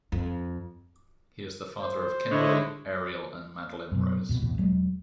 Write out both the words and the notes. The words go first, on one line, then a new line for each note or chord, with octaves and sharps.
He is the father of Kimberly, Ariel and Madeline Rose.
F2
C5
D3 E4 C#5 D#5
F#2 B2
F2 B2
A1 E2 B2
E1 F#3 G#3